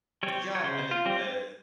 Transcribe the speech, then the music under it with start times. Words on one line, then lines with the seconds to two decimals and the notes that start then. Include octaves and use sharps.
yeah, I mean, uh,
0.23 G3 C4 C#5
0.55 C#5
0.64 C#3 C5
0.91 F4
1.05 G3 C4